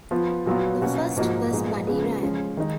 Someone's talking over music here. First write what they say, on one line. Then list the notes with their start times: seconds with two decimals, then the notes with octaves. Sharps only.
The first was Buddy Ryan.
0.11 F3 B3 F4
0.46 A#2 F#3 B3 F4
0.82 B2 A#3 C#4 F#4
1.16 G#2 F3 A#3 D#4 F#4
1.51 A#2 F3 G#3 B3 D#4
1.87 C#3 F3 G#3 B3
2.23 F3 G#3 C#4 F4
2.57 D#3 G#3 D#4